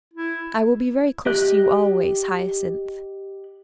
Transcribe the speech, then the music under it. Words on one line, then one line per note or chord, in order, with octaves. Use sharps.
"I will be very close to you always, Hyacinth."
E4
G4 D#5 F#6